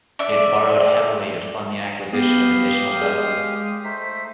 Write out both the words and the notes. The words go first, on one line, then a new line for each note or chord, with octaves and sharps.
It borrowed heavily to fund the acquisition of additional vessels.
D5 E5
B3 G4 F5 D#6
G#3
A3 D#4 C5 B6